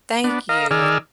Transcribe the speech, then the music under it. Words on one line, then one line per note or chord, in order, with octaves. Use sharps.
Thank you.
B3 D4
A#4 D#5 F5
D#3 G#4 D5 E6 F6